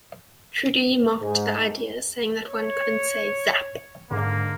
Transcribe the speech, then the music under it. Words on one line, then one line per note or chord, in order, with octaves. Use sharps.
Trudeau mocked the idea, saying that one couldn't say, Zap!
G#2
C#5
G#2 D3 A#3